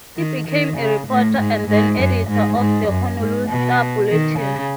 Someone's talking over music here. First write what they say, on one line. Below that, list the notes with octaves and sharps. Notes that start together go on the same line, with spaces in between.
He became a reporter and then editor of the "Honolulu Star-Bulletin".
D#3
D#3
C#3
A2
G#2
G#2
F#2
G#2
G#2
F#2
G#2
B2
D#3
C#3